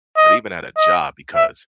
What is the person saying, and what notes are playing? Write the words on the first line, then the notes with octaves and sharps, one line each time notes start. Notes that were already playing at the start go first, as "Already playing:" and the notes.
but even at a job, because
D#5
D#5
E5